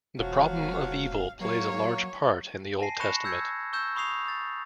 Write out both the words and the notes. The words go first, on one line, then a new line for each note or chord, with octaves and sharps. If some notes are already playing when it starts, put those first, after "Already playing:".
The problem of evil plays a large part in the Old Testament.
E1 F3 F#3 F#4 F5
F#3 A#3 C#5
G#5 A5 A#6 C7
B5 C#6 F#6 A#6 C#7 E7
E6 G6 G#6 C#7
C#6 E6 G6 E7
B5 C#6 D#6 C7 F7
A6